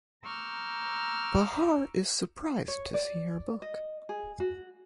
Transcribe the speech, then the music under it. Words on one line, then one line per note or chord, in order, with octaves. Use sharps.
Bahar is surprised to see her book.
A#5 C#6 D6 E6 F6 G6
C#5
D5
D#5
G#4
F#4